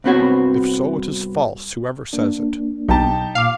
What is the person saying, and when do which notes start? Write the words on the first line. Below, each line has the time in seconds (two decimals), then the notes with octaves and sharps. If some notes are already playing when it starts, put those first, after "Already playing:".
If so, it is false, whoever says it.
0.04 C2 G2 B3 C4 F#4 C#5
2.13 A#3 D4
2.88 B1 D#4 G4 A5
3.35 A#2 F5 D6